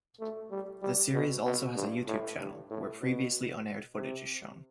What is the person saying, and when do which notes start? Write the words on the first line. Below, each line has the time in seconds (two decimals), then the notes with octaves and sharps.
The series also has a YouTube channel, where previously unaired footage is shown.
0.20 A3
0.51 G3
0.82 G3
1.14 B2
1.45 B2
1.76 G2
2.07 A2
2.39 G2
2.70 A2
3.01 B2
3.96 C3